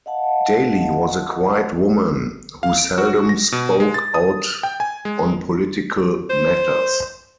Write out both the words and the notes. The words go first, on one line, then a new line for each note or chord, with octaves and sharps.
Daley was a quiet woman who seldom spoke out on political matters.
D#5 F5 F#5 A5
F5
D7
F#4
A#6
B2
G#3
A6
D#6
G5
G#5
G#3
C5